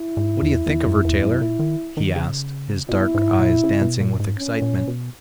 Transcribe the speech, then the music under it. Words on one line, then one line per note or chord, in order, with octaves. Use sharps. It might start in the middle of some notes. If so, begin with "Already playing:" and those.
"What do you think of her, Taylor?" he asked, his dark eyes dancing with excitement.
Already playing: E4
G#2
E2
E2
F#2
E2
F#2
A#2
D#3
D#3
C#3
B2 E4
G#2
A#2
C#3
B2
A#2
G#2
C#4
A#2
B2